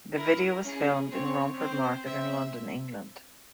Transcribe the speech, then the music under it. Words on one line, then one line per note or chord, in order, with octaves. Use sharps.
The video was filmed in Romford Market in London, England.
E4 A#4
C#4 G#4
C4 C#5
C4 C5
C4 E5